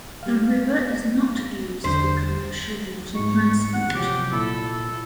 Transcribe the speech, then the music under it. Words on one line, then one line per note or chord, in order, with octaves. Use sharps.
The river is not used for commercial water transport.
G3 F5
E2 D3 C5 G6
G#2 G#3 C#6
F#5
C3 F3 F#3 G4
A#2 E4 A4 B5